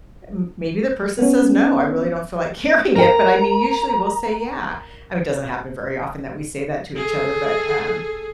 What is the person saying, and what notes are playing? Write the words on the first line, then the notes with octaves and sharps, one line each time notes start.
m maybe the person says, "No, I really don't feel like hearing it," but, I mean, usually, we'll say, "Yeah." I mean, doesn't happen very often that we say that to each other, but, um,
B3 C#4
A#4 G5 A#5
G#4 A4